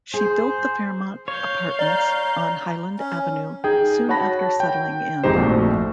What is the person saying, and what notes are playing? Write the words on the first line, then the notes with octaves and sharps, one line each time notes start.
She built the Fairmont Apartments on Highland Avenue soon after settling in.
G#4 C5
C#5 F5 G6
D5 A#5
C#4
D#4 G#4 G5
F#4 C#5 F#5 A5 B5 A#6
G5
G#1 F2 G#3 D#4 G4 C5
A#1 A3 C4 F#4